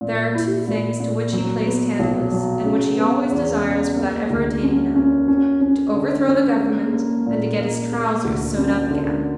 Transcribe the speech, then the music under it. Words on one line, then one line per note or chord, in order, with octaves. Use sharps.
There are two things to which he plays Tantalus, and which he always desires without ever attaining them: to overthrow the government, and to get his trousers sewed up again.
A#2
E4
A#2
A#2
F#3
B3
B1
F#3
C#3
B3
E2
C#3
A#3
D2
C#4
C#4
C#4
C#4
D3
C#4
A#3
A#3
A#2
A#3
A#3
D2
C#4
D3